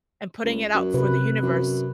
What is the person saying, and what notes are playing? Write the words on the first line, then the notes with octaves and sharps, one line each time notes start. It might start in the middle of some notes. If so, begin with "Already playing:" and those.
and putting it out for the universe.
C#2
F#2
C3 B4
F#2